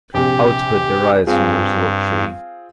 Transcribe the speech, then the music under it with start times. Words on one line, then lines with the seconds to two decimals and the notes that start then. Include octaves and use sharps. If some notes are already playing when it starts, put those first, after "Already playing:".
Output derives from the result tree.
0.14 A#1 C3 G4
1.27 G2 C4 F4 G#4